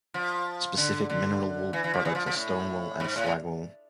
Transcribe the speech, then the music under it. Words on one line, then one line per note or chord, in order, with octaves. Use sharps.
Specific mineral wool products are "stone wool" and "slag wool".
F3
D3
D3
E3
E3
F3
E3
F3
F3
A2
G#2
A2